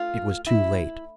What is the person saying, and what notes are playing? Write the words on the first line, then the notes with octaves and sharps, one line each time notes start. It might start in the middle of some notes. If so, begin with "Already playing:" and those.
It was too late.
Already playing: A3 F4
E4